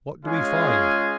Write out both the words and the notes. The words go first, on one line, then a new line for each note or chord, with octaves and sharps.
What do we find?
G#3 C#4 F4 G#4